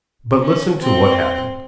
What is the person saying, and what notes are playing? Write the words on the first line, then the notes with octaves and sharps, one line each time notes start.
But listen to what happened.
C#4
C4